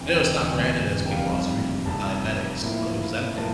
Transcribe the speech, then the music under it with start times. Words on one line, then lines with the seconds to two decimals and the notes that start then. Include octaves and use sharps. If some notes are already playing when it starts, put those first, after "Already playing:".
I know it's not branded as weight loss, originally for diabetics, but Ozempic.
Already playing: E1 D2 C3 E3 G5
0.35 E1 D2 C3 E3
1.06 G5
1.12 F1 F2 C3 G3 F5
1.86 F1 F2 C3 G3 A5
2.62 A2 F3 A#3 E4
3.37 A2 F3 A#3 E4 A5